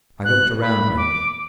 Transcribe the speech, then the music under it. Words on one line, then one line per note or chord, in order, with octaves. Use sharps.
I looked around me.
F#6
B5
D6